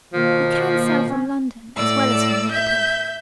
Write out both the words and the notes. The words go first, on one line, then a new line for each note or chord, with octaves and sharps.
You can sail from London as well as from Liverpool?'
B2 D#3 F3 A#3
C#4
A2 D5 E6
E5 G6